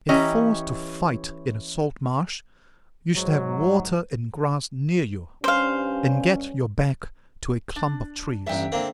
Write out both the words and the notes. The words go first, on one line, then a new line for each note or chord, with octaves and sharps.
If forced to fight in a salt-marsh, you should have water and grass near you, and get your back to a clump of trees.
E3 C#4 G4 D#5 A#5
G#2 F#3
G2 C#4 C5 F5
D4
A1 G2 E5 G5
D3 A#3 C4